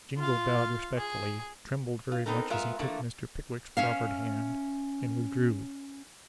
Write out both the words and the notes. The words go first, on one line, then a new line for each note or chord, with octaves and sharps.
Jingle bowed respectfully, trembled very much as he took Mr. Pickwick's proffered hand, and withdrew.
F4 F5
G#4
F4
B3 C4 D#4 A4 A#4
G#3 B3 F4 A#4 E5
E3 F3 A3 A#3 D4
C#4 E5 F5